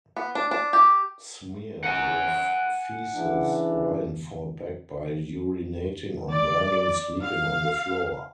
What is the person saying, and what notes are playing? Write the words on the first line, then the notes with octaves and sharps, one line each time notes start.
Smeared with feces, Ryan fought back by urinating on Brandon sleeping on the floor.
B3
D4
D4
G4
F#5 G#5
C#3 E3 D4
D5
F5